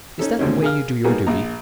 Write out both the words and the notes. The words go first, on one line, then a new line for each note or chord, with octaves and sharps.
Is that the way you do your duty?'
C#4 D#4 A4
D2 B2 D3 C4 C#4
G#4 A#4 F5 F6
G3 A#3 B3 D#4 F#4 G#4
A#1 A#5